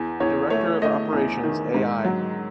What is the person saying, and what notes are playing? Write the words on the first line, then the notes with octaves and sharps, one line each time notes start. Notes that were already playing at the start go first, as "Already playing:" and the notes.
Director of Operations, a.i.
Already playing: E2
E2 C#5
A3 C#5
A3 D#5
E2
D#3
G#2
F#3